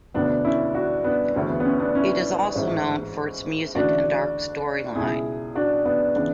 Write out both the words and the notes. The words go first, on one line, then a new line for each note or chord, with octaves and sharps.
It is also known for its music and dark storyline.
E1 D2 D3 B3 D4
C#4 E4
D4 F#4
B3 D4
D2 C#3 E3 C#4
B3
B3
C#4
B3 D4
C#4 E4
A1 G#2 E3
D2 C#3 E3 D4 F#4
C#2 B2 E4 G#4
D4 F#4
B3 D4
C#3 E3 B3 D4